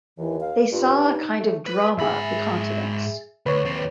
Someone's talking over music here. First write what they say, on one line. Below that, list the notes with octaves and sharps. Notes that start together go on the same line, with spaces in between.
They saw a kind of drama of the continents.
D#2 E3
F5
G2 F4
D#4
A3
B4
G#2 G#4 E5 B5
D2 B4 C#5
D#2 C4